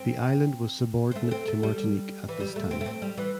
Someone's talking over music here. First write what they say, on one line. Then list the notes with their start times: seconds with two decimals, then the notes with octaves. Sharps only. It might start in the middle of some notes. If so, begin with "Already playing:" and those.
The island was subordinate to Martinique at this time.
Already playing: C4
1.11 C4
1.16 A3
1.31 C4
1.47 A3
1.63 G3
2.29 E3
2.40 G3
2.56 A3
2.71 C4
2.81 A3
2.86 C4
3.02 G3
3.17 E3